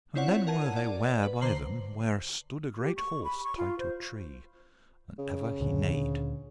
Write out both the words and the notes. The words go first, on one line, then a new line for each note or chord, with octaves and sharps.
And then were they ware by them where stood a great horse tied to a tree, and ever he neighed.
C4 E4 F4 C#5 D5 F#5
A#4 F#5 A5 G#6 D#7
D5
B4
D3 C5 A#5 C6 C7 F#7
G4
C#6
B5
C#6
F4
C5
C#3
D2 A#2 D3